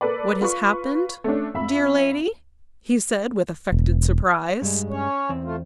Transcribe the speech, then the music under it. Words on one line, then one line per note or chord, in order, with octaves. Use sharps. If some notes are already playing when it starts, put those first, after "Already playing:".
"What has happened, dear lady?" he said, with affected surprise.
A#3 A4 B4 D5
F4 B4 C#6
A3 C#4 D4
F2 E5 B5
E1
G2 G3 G#3
C#4 C#5
E2 C4
A3 F4